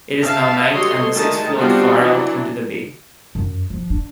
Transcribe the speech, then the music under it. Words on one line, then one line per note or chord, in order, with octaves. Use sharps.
It is now night and the six float far out into the bay.
E5 F5 A5
F#3 G3 A4 C#5 D#5 C6
D3 D#3 G#3 A3 D#4 A5
G3 B3 C4 D4 F4 F#4
E3 F#3 D4
F#2
F3
D4